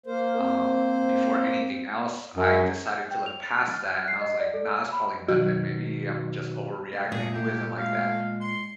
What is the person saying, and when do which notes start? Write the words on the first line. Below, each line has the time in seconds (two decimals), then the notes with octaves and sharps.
um, before anything else, I decided to look past that, and I was like, "Nah, it's probably nothing, maybe I'm just overreacting, who isn't like that?"
0.06 A#3 A#4 C5
0.38 C4
2.36 F#2
2.87 G6
3.11 G5
3.26 F7
3.44 A6
3.73 F6
3.87 F#6
4.08 C7
4.21 D#5
4.40 D5
4.54 A4
4.69 E6
4.92 B5
5.28 B2 D#3 F#3 F#4
6.92 C3 G#3 A3
7.12 A#2 G#4
7.34 A3 G4
7.77 G#3 F5
8.41 C6 C#7